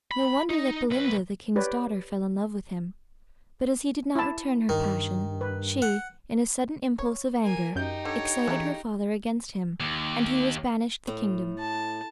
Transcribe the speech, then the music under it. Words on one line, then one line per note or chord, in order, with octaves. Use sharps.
No wonder that Belinda, the king's daughter, fell in love with him; but as he did not return her passion, she, in a sudden impulse of anger, excited her father against him, and he was banished the kingdom.
B5
D#4
B1 B4
G4 B4 C#5 D5
E4 A5
G2 D#3
B4
F#5
C#5
A#3 G#5
F#2 D#4 G4 G6
D3 C#5
C#3 E3 A3 A#5
D#2
A2
A5